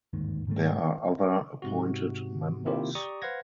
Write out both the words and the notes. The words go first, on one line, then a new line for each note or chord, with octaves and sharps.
There are other appointed members.
G1 D#2 G#2 D#3
G#2 D#3 G3 A3
G#2 C3 F#4
C3 D#3 A#3 E4 F4 G4
G4 D5 A#5 C#6 D#6
B4 C5 F5 F#5 G#6 A#6